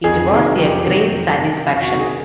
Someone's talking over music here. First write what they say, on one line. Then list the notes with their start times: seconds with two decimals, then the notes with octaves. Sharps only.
It was a great satisfaction.
0.04 F2 G#4
0.31 C3 D#3 F#3 G#4
0.57 F2 G4
0.84 C3 D#3 F#3
1.11 F2
1.37 C3 D#3
1.64 F2
1.82 F#4
1.91 C3 D#3
1.99 G#4